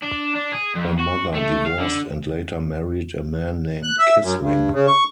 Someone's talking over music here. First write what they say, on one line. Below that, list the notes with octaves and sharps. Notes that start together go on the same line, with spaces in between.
Her mother divorced and later married a man named Kissling.
D4
D4
G#4
F2
F#4
A3
F5
D3
F#6
E5
F#2
G2
C#3
C#6